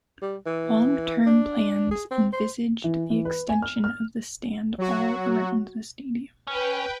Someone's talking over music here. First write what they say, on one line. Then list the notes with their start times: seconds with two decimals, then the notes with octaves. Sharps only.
Long-term plans envisaged the extension of the stand all around the stadium.
0.21 G3
0.46 E3
1.26 D4
1.91 G#4
2.11 C4
2.33 C5
2.84 E3
3.10 E3
3.25 B4
3.49 G#5
3.62 F6
3.84 F6
4.78 F#3 F#4
6.47 C#4 B4 G5